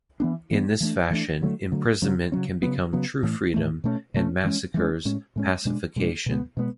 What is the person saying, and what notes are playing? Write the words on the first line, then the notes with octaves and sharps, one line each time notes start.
In this fashion, imprisonment can become "true freedom", and massacres "pacification".
E3 B3 D4
E3 B3 D4
E3 A3 D4
E3 A3 D4
D3 F#3 A3
D3 F#3 A3
C#3 F#3 C#4
C#3 F#3 C#4
C#3 F#3 B3
C#3 F#3 B3
A2 E3 A3
A2 E3 A3
B2 A3 C#4
B2 A3 C#4
E3 G#3 C#4
E3 G#3 C#4
A2 G#3 C#4
A2 G#3 C#4
B2 G#3 D4
B2 G#3 D4
B2 G#3 B3
B2 G#3 B3